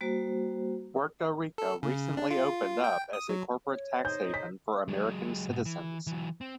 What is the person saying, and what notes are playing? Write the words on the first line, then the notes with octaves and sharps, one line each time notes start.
Puerto Rico recently opened up as a corporate tax haven for American citizens.
G3 A#3 F#4 C5
A4
C#3
D4
F4
G5
D#6
F#3
C#5
D#4 C5 D#5 G6
B6
F#3 G#3
G#2 B2
E3
E3 F#3
C4